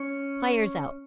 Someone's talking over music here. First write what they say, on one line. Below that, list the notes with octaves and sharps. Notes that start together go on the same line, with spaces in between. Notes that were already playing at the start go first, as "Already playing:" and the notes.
Fire's out!
Already playing: C#4 C#5